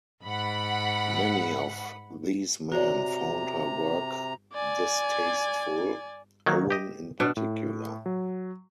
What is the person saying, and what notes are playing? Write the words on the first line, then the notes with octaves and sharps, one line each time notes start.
Many of these men found her work distasteful, Owen in particular.
G#2 F#5 B5
C3 F#4 C#5 D5 A#5
D5 G#5
D#3 F#3 A#3
G4 D#5
B2 D4
A2
F#3